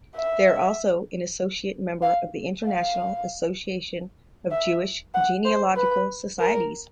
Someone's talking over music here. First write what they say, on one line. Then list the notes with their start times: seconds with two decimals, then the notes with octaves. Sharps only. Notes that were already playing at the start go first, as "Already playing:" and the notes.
They are also an associate member of the International Association of Jewish Genealogical Societies.
0.16 E5
2.02 F5
2.65 F5
4.51 E5
5.14 F#5
5.45 C5
5.76 B4
6.39 A#4